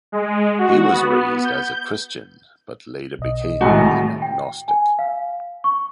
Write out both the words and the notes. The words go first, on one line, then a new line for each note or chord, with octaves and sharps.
He was raised as a Christian but later became an agnostic.
G#3
F#4
B3
G6
B1 D#5
C2 A2 D#3 G#3 F#4
G5
G#5
F5
C#6